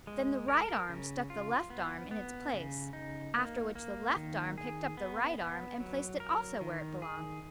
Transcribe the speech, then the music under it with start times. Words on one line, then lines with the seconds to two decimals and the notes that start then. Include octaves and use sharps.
Then the right arm stuck the left arm in its place, after which the left arm picked up the right arm and placed it also where it belonged.
0.07 G#3
0.48 A#4
0.89 C#3
1.30 F4
1.70 B3
2.11 B3
2.53 C#3
2.93 D#4
3.34 A#3
3.75 A#3
4.16 D#3
4.58 G#4
4.97 B3
5.38 B3
5.80 F#3
6.20 A#4
6.61 D#3
7.02 G#4